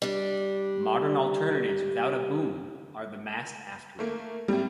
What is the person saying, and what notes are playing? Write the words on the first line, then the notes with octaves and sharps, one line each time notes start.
Modern alternatives without a boom are the Mast aft rig.
G3 D4
A3 A#3
A2 G3 G#3 A#3 C4